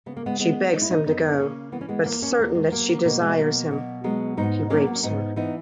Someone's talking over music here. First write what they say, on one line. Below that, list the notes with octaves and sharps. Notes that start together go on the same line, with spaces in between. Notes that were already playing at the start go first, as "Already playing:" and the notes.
She begs him to go, but certain that she desires him, he rapes her.
C#3 B3
A#3
G#3 B3
E3 G#3 B3
G#3 D#4
E4
B3 D#4
F#2 B3 D#4
C#3 A#3 C#4
E3 B3
C#4
G#3 B3
E2 A#3
A#3 C#4
E2 A#3
G#3
F#3 A#3
A#3
B2 A#3
G#3
F#3 A#3
B2
F#3 G#3 B3
G#2 B3 D#4
F#3 A#3 C#4
B3
C#4
G#2 B3 D#4
E3 B3 D#4